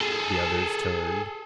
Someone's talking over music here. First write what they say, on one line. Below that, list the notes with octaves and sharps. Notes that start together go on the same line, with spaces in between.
The others turned.
G#4 A4